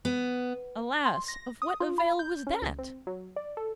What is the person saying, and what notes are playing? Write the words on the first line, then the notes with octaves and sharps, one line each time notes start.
Alas! of what avail was that?
B3
C6
A#6
D#6
F4
B5
G6
C#4
C#2
C4
F#3
D5
A4